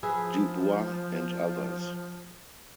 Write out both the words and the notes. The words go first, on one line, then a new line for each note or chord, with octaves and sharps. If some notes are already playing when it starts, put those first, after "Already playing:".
Du Bois and others.
F3 G#4 B4 E5